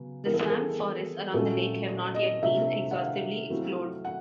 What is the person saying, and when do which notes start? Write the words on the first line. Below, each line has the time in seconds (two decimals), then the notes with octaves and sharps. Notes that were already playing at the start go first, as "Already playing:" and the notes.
The swamp forests around the lake have not yet been exhaustively explored.
Already playing: C#3 F#3 B3
0.25 E3 G3 B3 A#4
0.34 A4
0.41 G#4
0.50 A4
1.33 A#2 F#3 A3 C#4 A4
1.88 D5
2.14 D#5
2.42 C3 F3 A3 D4 E5
2.91 F#5
2.96 F5
3.50 F#3 A3 C4 E4
4.05 F#5